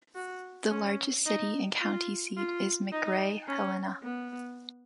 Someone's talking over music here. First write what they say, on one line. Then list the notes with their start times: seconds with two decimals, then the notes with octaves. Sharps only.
The largest city and county seat is McRae-Helena.
0.15 F#4
0.70 C#4
1.26 D#4
1.81 F4
2.37 F4
2.93 D#4
3.48 C#4
4.03 B3